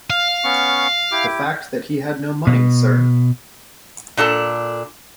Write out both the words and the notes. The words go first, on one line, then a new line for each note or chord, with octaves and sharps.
The fact that he had no money, sir.
F5
B3 C#4 C#6
E4 G4 D6
B2
A#2 D4 A4 A5